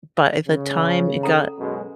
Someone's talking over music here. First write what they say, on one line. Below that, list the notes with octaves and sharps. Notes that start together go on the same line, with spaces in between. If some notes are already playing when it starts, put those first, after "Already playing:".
but at the time it got
C#3
C#4 A4 A#5
F#2 B2 G#3